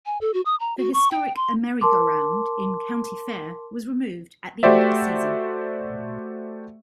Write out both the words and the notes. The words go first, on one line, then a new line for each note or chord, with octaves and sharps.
The historic Ameri-Go-Round in County Fair was removed at the end of the season.
G#5
A4
F#4
D#6
A#5
F#4
C#6
G5
C6
A#4 A5 C6 D6
A3 F#4 G4 C5 D5 E5